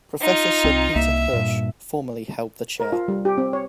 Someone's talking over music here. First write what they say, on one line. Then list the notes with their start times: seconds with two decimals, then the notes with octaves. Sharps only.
Professor Sir Peter Hirsch formerly held the chair.
0.21 D#4 F4
0.64 C2 C4
0.96 C2 A#3 E5
1.33 G2 A#2
2.80 A#4
2.93 F4
3.08 G3
3.25 G4
3.38 C4
3.53 C#5